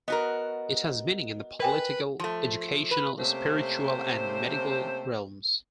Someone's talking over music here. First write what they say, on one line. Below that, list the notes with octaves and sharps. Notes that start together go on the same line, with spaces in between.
It has meaning in the political, educational, spiritual and medical realms.
B3 F#4 A#4 D#5
A#4 B4 G5 G#5
F3 A3
B4
C3 A3 A#3 C4 C#4 C5